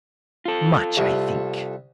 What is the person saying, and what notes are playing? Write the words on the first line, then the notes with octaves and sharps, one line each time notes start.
Much, I think.
F4 A4
C2